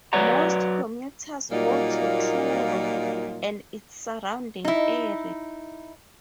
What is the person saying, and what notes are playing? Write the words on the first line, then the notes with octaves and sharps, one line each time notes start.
Most commuters go to Truro and its surrounding area.
F#3 B4 C#5 D5 F#5 A#5
A#2 F#3 G3 A#3 D#4 F4
D#4 E4